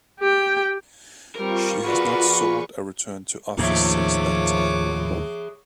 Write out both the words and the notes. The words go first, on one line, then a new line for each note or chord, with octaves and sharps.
She has not sought a return to office since that time.
G4 G5
G3 C4 F4 A#4 C#6
F#4 G#4 A#4 B4 D5 B5
D#2 A2 D#3 F3 G#4 C#5 E5 D6